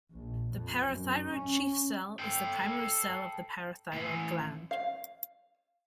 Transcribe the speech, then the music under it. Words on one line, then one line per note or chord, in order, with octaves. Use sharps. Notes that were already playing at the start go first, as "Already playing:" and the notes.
The parathyroid chief cell is the primary cell of the parathyroid gland.
A#1
F2
F#2
C#4
A4 G5
A2 E3
F5